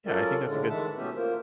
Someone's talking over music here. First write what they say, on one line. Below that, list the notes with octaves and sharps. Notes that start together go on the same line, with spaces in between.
Yeah, I think that's a good
F#3 C#4 F4 A4 A#4 D5
A2 D3 G#3
D#3 E3 G#3 E5 F#5 A5
B2 A3 B3 C#4 G4 E5
A#3 F4 A#4 C5